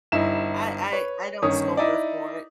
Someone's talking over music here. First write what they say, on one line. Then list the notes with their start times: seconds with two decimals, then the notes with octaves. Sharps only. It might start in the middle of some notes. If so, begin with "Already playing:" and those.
I I I don't scold her for it.
0.12 G1 D#4 E4 E7
0.92 B4 C#5
1.42 G1 D#3 C#4 D#6
1.77 D#4 E4 D5